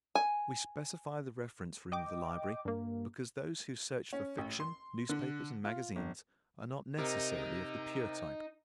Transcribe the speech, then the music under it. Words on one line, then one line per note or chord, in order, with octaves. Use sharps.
We specify the reference room of the library because those who search for fiction, newspapers and magazines are not necessarily of the pure type.
G#5
D#5 G5 D6
G2 A#3
C#4
A1
C6
D3
F4
G1
C3 D#4 A#4